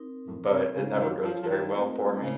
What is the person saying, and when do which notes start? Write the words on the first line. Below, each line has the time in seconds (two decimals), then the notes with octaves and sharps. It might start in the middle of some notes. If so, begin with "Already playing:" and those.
but it never goes very well for me.
Already playing: C4 D#4 A#4
0.27 A2
0.51 C3
0.76 C#3 F4 A4 C#5 F5
0.95 C#3
1.00 D#3
1.24 F3
1.42 F3
1.49 D#3
1.73 A3 C4 F4 A#4 D#5
2.22 C#3